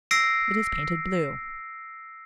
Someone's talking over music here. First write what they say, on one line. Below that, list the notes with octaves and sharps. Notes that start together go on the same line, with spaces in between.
It is painted blue.
E6 A#6 C7 D7